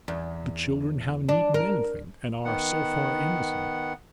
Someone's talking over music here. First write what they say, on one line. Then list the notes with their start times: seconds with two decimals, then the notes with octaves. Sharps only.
But the children haven't eaten anything, and are so far innocent.
0.08 E2
1.29 D4
1.54 A#4
2.45 D#3 B3 F#5